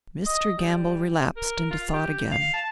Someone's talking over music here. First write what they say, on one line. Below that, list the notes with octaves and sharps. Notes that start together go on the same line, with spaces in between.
Mr. Gamble relapsed into thought again.
D#5
G3
A#4
F4
G4
F5
A5